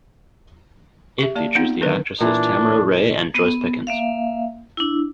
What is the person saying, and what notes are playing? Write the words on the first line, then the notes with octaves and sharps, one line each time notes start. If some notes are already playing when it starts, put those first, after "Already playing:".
It features the actresses Tamara Rey and Joyce Pickens.
G4 E5
A#3 D5 A5
B3 C4 D#4 F4
D3 D#3 F#3 D4 A#4 B4
A#2 E3 D4
B3
A#3 E5 F5
D4 E4